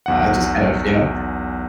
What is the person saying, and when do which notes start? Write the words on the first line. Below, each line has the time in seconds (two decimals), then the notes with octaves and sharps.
I just kind of, you know
0.06 B1 E2 F#5